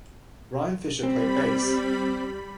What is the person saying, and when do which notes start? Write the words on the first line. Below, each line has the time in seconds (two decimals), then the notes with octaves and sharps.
Ryan Fisher played bass.
1.03 G3 C4 B5